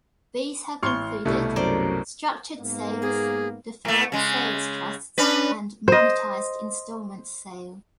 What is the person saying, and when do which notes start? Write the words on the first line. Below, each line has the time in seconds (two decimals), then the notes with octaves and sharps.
These have included: Structured Sales, Deferred Sales Trusts and Monetized Installment Sale.
0.83 A1 C6 C#6 F6 G7
1.25 C2 B2 G3 A3 E4
1.56 F#2 A#4 C5 D5
2.60 G#2 A#3 B3
3.02 G#4
3.85 A2 A3
4.12 C#3 G#3
5.18 C#4 D4 B4
5.88 C5 D#5